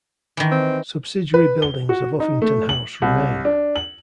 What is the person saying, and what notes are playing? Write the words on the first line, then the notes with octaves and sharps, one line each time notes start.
Subsidiary buildings of Uffington House remain.
D#3 E3
C4
B4
G7
F#4
D#4
A3
F#7
C2
D4
F#7